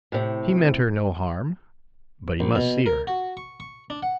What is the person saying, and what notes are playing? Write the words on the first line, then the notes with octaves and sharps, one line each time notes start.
He meant her no harm--but he must see her.
A2 C3
A#1
B2
A#4
F#4
C#6
C#6
D4
F#5